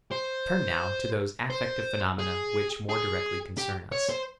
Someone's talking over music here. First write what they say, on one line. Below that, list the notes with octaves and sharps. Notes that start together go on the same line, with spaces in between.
Turn now to those affective phenomena which more directly concern us.
C5
C5
G#4
G#4
G4
C#5
C5